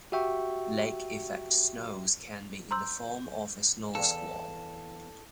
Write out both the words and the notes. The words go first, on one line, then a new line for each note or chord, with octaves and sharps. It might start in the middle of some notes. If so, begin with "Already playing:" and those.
Lake effect snows can be in the form of a snow squall.
F#4 G4 E5 G5 C#6
C5 A#5 C6 E6 G6
E2 A4 F5 G5